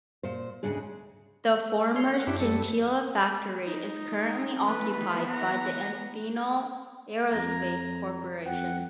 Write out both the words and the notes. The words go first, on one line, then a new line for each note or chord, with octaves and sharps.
The former Scintilla factory is currently occupied by the Amphenol Aerospace Corporation.
A#2 C5
D2 G#2 C#3 D4 G#4
C#5 C6
C#4 F#5
F#2 D4 E4 G4
G3 A4
D#4
E3 A3 B3 B4
F#5 A#5
F2 A#5 G#6 A#6
F2 F#5 G5